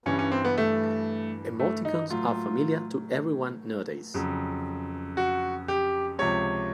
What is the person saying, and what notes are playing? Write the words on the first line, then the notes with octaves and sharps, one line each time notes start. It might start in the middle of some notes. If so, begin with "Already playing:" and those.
Emoticons are familiar to everyone nowadays.
G2 E3 G3 C#4
C#4
C4
B3
A3
A3
D#4
A2 F#3 F4
F2 C#3 F#3
F#4
G4
C#2 C3 F3 C#5